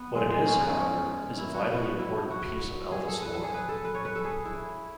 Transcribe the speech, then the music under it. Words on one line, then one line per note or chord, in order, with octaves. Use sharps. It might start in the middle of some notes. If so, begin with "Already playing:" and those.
What it is, however, is a vitally important piece of Elvis lore.
Already playing: B3
G#3
G#3
C#4
D#4
C#4
E4
F#4
F#4
F#4
E4
F#4
G#4
A4
B4
A4
G#4
B4
A4
B4
C#5
B4
A4
G#4
E4